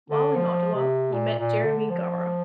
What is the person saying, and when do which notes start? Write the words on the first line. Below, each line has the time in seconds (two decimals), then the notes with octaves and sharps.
While in Ottawa he met Jeremy Gara.
0.11 D3
0.36 F3
0.75 C3
1.13 A#2
1.39 A#2
1.64 D3
1.90 F3